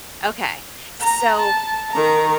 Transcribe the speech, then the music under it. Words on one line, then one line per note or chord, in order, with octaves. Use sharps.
Okay, so
A#5
A5
D#3 A#5